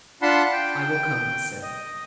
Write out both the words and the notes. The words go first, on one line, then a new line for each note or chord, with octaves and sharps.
"I will come," he said.
D4 F4 F#5 A5 B5 C6
G5
D#5